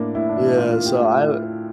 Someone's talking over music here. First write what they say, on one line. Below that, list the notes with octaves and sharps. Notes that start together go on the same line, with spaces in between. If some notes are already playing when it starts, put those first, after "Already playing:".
yeah, so, I, w
Already playing: A2 A#3 D4
A2 E4
D4
E3 E4
A2 F4
F4
A#3
G4
A2